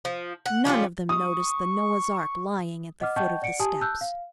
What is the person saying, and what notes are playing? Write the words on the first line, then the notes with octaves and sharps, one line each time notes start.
None of them noticed the Noah's ark lying at the foot of the steps.
F3
F#5
F3 G3 C#4 F4
C#6 D#6
D#5 F#5 D6 F6
D#5 F#5 G5 A5 C#6 G6
D5 F#5 C#7 D7
G4 G#5 A5 D#6
A5 E6 F#6 G6
F5